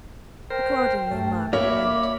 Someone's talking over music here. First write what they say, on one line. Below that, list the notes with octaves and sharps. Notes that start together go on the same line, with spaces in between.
Accordingly Margaret went.
A#4 C5 G5
G2 A3
A#3 C#5 E5 B5 D6